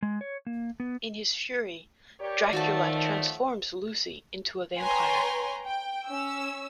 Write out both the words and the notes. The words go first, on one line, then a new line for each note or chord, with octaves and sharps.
In his fury, Dracula transforms Lucy into a vampire.
G#3
C#5
A#3
B3
G4 A#4 C#5 D5
D#3 F3 A3 F#4 C#5 A5
B4 C#5 G5 G#5 A#5 C6
G5
C#4 E6